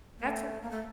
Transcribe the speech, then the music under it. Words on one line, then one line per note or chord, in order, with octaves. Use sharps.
that's a
A#3
A3
A#3
A3